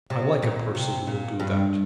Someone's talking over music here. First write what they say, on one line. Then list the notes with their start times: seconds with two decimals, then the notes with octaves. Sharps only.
I like a person who will do that.
0.10 C3
0.42 A#2
0.75 C3
1.07 A#2
1.40 G2